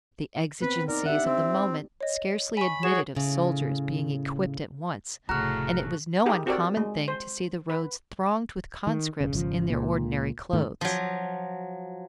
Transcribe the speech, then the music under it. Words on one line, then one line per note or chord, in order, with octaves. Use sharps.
The exigencies of the moment scarcely admitted of soldiers being equipped at once, and it was no uncommon thing to see the roads thronged with conscripts in their ordinary clothes.
B3 C4 B4
D#4 A#4 D5
D4 G4 E5 F#5
C4
C#5 D#5
G#5 B5 C#6
F#4 G#4 C#5 E7
A2 C#3
F1 F2 A2 C#3 A3 F#4 A#5 F6
D#4 E4 G4 G#4 A#4
C4 F#4 G4 A4 A#4 D5
G#3
C5
B4
D#3
E1 C#3
G#1 C#3 F3
C#2 A#2
G#2 D#3 A3
F3 F#3